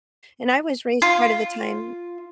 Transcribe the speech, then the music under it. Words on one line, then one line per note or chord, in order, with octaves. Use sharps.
And I was raised part of the time
F4